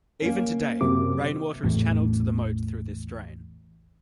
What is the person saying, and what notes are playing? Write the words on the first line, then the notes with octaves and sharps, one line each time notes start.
Even today, rainwater is channeled to the moat through this drain.
A#3 C#4
F#2 C3 D6
A1 E2 A2